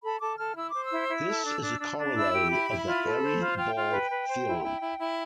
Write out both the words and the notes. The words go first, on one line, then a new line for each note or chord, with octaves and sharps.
This is a corollary of the hairy ball theorem.
A4 B5
A4 D6
A4 F6
E4 E6
C5 D6
E6
E4
E4
A4
D4
D4
D4
D4
E4 E6
G4
E4 B5
E4
F4 B5
A4
C5
F4
F4 G5
F4
B4
B4
C5
E4
E4
E4
E4